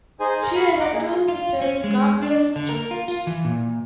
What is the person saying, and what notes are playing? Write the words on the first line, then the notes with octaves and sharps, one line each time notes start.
She has a twin sister, Gabrielle Jones.
D#4 G#4 C5 G#5
G#4 A#4
F5 B5
F#5 A#5 D6
A#3 G#4
F4
C#4
G#3
D4
D3
A#4
F4
F4
E3
A#2